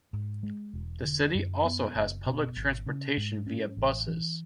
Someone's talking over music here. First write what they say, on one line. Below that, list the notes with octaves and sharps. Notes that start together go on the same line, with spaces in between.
The city also has public transportation via buses.
G#2
G#3
E1
D3
F#2
B3
F#1
B2
G#1
C#3
G#2
C#4
A1
E3